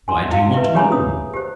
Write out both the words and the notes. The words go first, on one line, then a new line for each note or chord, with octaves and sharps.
"Why do you want to know?"
G#5 C6
E4 F#4 F5
B4 E5
G4 G#4 C#5 G#5 A#5 B5
D#6
G4 C5